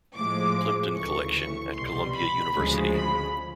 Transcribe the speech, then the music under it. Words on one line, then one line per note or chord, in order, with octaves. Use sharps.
Plimpton Collection at Columbia University.
A2 F3 G#3 D6
D2 C#3 E3 A3 C#6
C#6
C2 B2 G3 C6
B5
D2 C#3 F3 G#3
B5